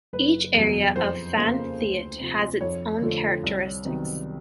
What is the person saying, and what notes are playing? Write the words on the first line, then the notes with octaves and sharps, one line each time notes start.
Each area of Phan Thiet has its own characteristics.
F#1 B4
E2 B2 F#3
F2 C5
C#3 F3 A#3
D2
C3 F3
F2 C#5
D3 F3 A3
C2
C3 D#3 F#3 B3